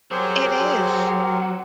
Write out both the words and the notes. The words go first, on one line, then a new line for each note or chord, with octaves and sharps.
It is.
F#3 C4 G4 G#4 A#4 C5